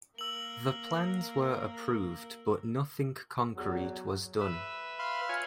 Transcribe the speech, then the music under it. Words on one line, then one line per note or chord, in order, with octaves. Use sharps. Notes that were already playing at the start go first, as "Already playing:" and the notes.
The plans were approved but nothing concrete was done.
A#3 A#4 E6 F#7
E2 F#3
B4 E5
F5 B5 C6
F4 C#5 G#5